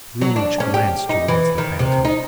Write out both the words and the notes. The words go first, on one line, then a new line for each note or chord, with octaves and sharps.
Scrooge glanced towards the Phantom.
F#3
D4
C#4
G4
D#4
E3
D#3
C3
D#4